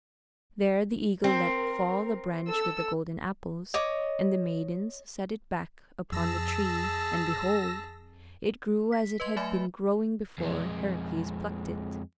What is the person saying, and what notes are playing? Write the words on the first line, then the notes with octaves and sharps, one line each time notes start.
There the eagle let fall the branch with the golden apples, and the maidens set it back upon the tree, and behold! it grew as it had been growing before Heracles plucked it.
C4 A#4
A4 E6
C#5 D#5 D6
F2 G#4 A5 E6 A#6
B6
B4 D#5 C6 G#6
F#3 A3 E5 G#5 B5
F2 G#3